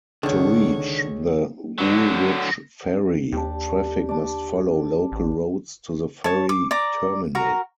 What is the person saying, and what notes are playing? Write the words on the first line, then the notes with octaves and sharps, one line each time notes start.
To reach the Woolwich Ferry, traffic must follow local roads to the ferry terminal.
C#2 D3 D#3 C#5
D3 F#3
D#2 D4 G4
D4 D5
A1
C#5 A5
D6
D5 A#5 D6
F#4 A#4 A#5